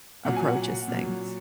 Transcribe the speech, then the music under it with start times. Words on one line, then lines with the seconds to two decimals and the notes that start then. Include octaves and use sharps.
approaches things?
0.25 A#2 F#3 F#5
0.36 G#5
0.48 F#5
0.88 A#2 F#3